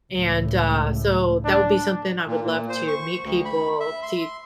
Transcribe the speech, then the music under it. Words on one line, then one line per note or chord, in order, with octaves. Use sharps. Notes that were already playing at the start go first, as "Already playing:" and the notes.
and, uh, so that would be something I would love to meet people, to
C#2 A2
D4
A#2
A#2
C5
C#6
D2
B5
E5
C6